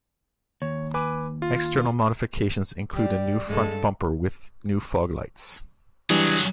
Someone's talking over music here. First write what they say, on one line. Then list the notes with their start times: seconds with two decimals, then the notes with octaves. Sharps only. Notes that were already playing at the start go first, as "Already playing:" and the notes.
External modifications include a new front bumper with new foglights.
0.62 D#2 C#5
0.94 B4 G#5 D6
1.42 F4
2.95 G3 D5
3.48 G2 G#3 A4
6.10 E3 F#3 G3 D4 G#4